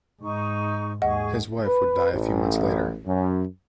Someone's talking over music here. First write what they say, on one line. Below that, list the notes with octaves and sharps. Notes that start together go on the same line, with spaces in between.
His wife would die a few months later.
G#2 D#4 C#6
D#2 G#2 G#4 D#5 F#5 C#6
B4
A1
F#2